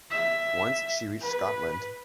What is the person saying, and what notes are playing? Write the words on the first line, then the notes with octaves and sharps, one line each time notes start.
Once she reached Scotland.
E5
B4